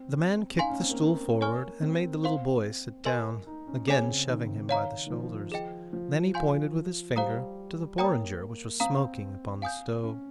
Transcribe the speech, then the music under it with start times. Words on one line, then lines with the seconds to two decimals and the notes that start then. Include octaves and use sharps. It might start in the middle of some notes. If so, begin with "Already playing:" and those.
The man kicked the stool forward and made the little boy sit down, again shoving him by the shoulders; then he pointed with his finger to the porringer which was smoking upon the stove.
Already playing: C4
0.54 C#4
0.59 D#4 F5 G#5 C6
0.70 C#4
0.80 C4
0.90 A#3
1.01 A#3
1.41 C#5 G#5 C#6 F6
1.82 C4
2.24 C5 F5 C6
3.05 A#4 D#5 G#5 C6
3.47 D#4
3.67 C#4
3.88 C4 G#4 C#5 G#5
4.08 C#3
4.29 D#3
4.69 C#5 F5 A#5
5.07 D#3
5.10 F3
5.52 G#4 D#5 G5
5.93 F3
6.34 F5 G#5 C6 G6
7.16 G3 C5 F5 A#5 D#6
7.98 A#3 C#5 G5 A#5 D#6
8.80 C4 F5 A#5 D#6
9.62 F5 G#5 D#6 G6
10.03 C#4